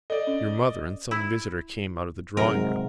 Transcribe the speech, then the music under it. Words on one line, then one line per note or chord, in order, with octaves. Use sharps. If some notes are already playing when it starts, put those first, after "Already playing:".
Your mother and some visitor came out of the drawingroom.
A4 D5 D#5
C#4
E4
G#2 C3 F#3 A#4